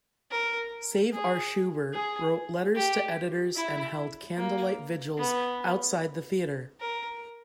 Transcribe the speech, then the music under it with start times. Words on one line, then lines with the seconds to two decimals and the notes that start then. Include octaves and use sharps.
Save Our Shubert wrote letters to editors and held candlelight vigils outside the theater.
0.31 A#4
1.12 G#4
1.93 G#4
2.75 G4
3.55 E4
4.37 A#3
5.17 B3
6.80 A#4